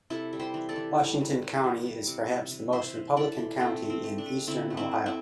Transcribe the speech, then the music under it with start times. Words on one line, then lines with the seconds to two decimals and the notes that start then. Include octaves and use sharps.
Washington county is perhaps the most Republican county in eastern Ohio.
0.10 C3 E4 A4
0.33 G3
0.39 G4 C5
0.54 E3
0.69 A4 D5
0.76 E3
0.99 G3
1.21 E3
1.42 E3
1.64 E3
1.86 G3
2.07 C3
2.30 C3
2.52 E3
2.72 E3 C5 E5
2.95 E3
3.17 E3 A4 D5
3.38 E3
3.60 A3 C4
3.83 A3
3.90 C4
4.04 A3
4.18 D4
4.26 A3
4.47 D3 C4 E4
4.70 A3
4.77 C4 E4
4.91 A3
5.06 C4 E4